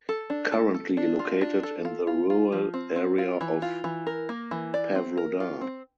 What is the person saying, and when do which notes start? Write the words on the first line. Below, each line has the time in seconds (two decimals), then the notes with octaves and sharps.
Currently located in the rural area of Pavlodar.
0.09 A4
0.30 D4
0.52 A4
0.74 A4
0.97 D4
1.19 F4
1.41 D4
1.63 A4
1.85 F4
2.07 F4
2.30 F4
2.52 F3
2.74 C4
2.96 C4
3.18 F4
3.41 E3
3.62 F4
3.84 E3
4.07 A#4
4.29 A#3
4.51 E3
4.74 D5
4.95 C4
5.17 A#4
5.40 F4
5.61 C4